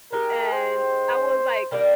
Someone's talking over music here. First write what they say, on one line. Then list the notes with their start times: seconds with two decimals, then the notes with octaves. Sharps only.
and I was, like,
0.13 G#3 D#4 G4 A#4
0.52 C5
1.71 D#3 G3 A#3 D4